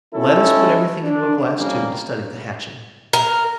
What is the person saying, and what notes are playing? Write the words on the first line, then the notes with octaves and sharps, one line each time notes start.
Let us put everything into a glass-tube to study the hatching.
D#3 C#4 E4 F4 A4
D4
F2 D#3 G3 A#3 C#4
A#4